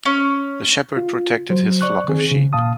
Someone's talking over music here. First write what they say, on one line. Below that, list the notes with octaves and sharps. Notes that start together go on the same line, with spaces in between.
The shepherd protected his flock of sheep.
C#4
F4
F#3 C5
D5 C#6 F#6
D#3 C4 G#4
C#3
A#2 F5 A5 D#6